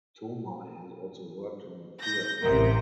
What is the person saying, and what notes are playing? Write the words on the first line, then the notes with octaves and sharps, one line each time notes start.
Tomei has also worked in theater.
G6 A#6
A1 C3 A#4